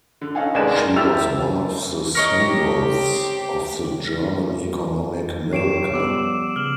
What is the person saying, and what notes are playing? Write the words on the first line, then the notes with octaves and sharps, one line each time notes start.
She was one of the symbols of the German economic miracle.
D3
C#4 D#4 A4 F5 F#5 G#5
F1 D#2 G#3 B4 D5 E7
A#4
E1 E4 G4 E6 A6 F7
A#4 C#5 D#5
C4 G4
F#2 G4 C#5 C7 D7 E7
F3 G3 B3 D6 E6
C#3 F6 F#7